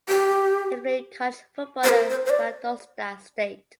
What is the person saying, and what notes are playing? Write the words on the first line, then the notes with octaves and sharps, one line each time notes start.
He played college football at Valdosta State.
G4
C5
A#4
C5
C5
D5